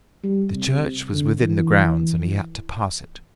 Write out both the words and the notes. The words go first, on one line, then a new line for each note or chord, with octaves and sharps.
The church was within the grounds, and he had to pass it.
G3
C3
D3
E3